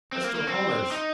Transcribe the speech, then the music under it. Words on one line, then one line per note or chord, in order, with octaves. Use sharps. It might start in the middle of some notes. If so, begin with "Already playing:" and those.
"Mr. Hollins!"
C4
A#3
A#3
C4
D#4